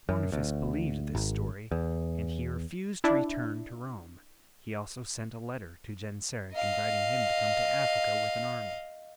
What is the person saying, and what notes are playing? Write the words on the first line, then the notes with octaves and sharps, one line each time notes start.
Boniface believed this story, and he refused to return to Rome. He also sent a letter to Genseric, inviting him to come to Africa with an army.
F#2
D2
G#1
E2
D4 E4
D#5 F5